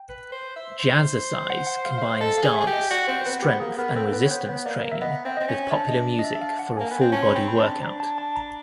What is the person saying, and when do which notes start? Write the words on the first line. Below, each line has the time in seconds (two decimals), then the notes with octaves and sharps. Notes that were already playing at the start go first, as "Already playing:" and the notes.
Jazzercise combines dance, strength, and resistance training with popular music for a full-body workout.
Already playing: G5
0.09 B4
0.32 C5
0.56 E5
0.79 C5
1.50 F#5
1.67 F#5
1.85 F5
1.98 F5
2.02 E5
2.20 A4 D#5
2.38 F5
2.43 G#4
2.56 G#4 E5
2.67 G4
2.73 D#5
2.90 F#4 D5
3.07 C4 C5
3.21 C5
3.26 B3 B4
3.42 B3 G4
3.60 A#3 G#4
3.78 B3 A#4
3.95 C4 A4
4.06 A#3
4.13 B3 B4
4.25 C#5
4.30 B3 C5
4.44 C4
4.48 B3
4.66 A#3 D5
4.84 A#3
4.92 E5
5.01 B3 D#5
5.25 C4 E5
5.37 C4 D#5
5.48 C#4
5.71 D4 E5
5.88 D#5
6.19 D#5
6.24 E5
6.35 E5
6.41 F5
6.59 F#5
6.77 A#3 G#5
6.91 B3 G#5
7.01 C4
7.12 C#4 A5
7.22 C6
7.29 B5
7.35 C4
7.48 B5
7.59 D4
7.64 B5
7.82 D4 A#5
8.00 A5
8.18 A5
8.36 A#5